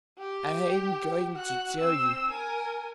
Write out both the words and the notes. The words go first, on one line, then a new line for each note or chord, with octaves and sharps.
I am going to tell you.
G4
F#4 F#6
C4 E6
A#4 G#5